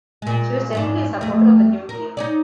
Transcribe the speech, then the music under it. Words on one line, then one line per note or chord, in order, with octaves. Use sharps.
She was generally a supporter of the New Deal.
A#2 G#3
F2 G#2 D4
F2 A3
A#4
D#4 C#5 D5